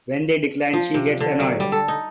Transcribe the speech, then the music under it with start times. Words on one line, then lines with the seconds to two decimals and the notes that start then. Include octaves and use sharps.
When they decline, she gets annoyed.
0.73 F3
0.94 C3
1.20 D3
1.40 F#3
1.60 G3
1.72 A4
1.88 D#4